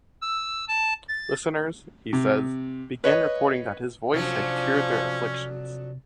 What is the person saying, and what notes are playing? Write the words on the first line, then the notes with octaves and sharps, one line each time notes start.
Listeners, he says, began reporting that his voice had cured their afflictions.
E6
A5
A6
C3
B4 C#5 D#5
F2 C3 F3 F#3 C#4 D4